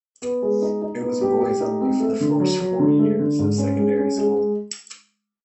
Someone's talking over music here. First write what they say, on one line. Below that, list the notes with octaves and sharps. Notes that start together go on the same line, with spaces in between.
It was boys-only for the first four years of secondary school.
B3
G#3
D#4
D#4
B3
G4
G4
D#4
C4
A3
D3
F#3
F#3
D3
A3
D3
G#2
C#4
G#3
C#4
G#3